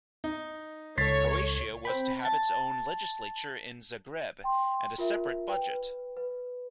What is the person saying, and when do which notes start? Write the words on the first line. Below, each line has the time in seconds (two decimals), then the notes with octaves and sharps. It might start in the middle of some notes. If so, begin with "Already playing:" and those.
Croatia was to have its own legislature in Zagreb, and a separate budget.
0.24 D#4
0.98 C#2 A4 C#5 A6 B6 C7
1.85 C4 G5 B5
2.25 A5 A6
4.44 G5 C6
4.98 F4 A#4 E5
5.48 B4 G5
5.69 B4
6.17 B4